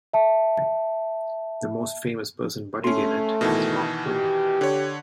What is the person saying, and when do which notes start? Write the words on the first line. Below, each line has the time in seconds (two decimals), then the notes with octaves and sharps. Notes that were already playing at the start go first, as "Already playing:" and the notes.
The most famous person buried in it is Mark Twain.
0.14 E5 A5
2.84 A3 C#4 C6
3.41 B2 D#3 E3
4.07 G4
4.61 D3 C#5